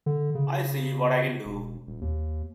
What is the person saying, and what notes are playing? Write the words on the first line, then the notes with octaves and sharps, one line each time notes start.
I'll see what I can do.
D3
C#3
E1
D#1
D#2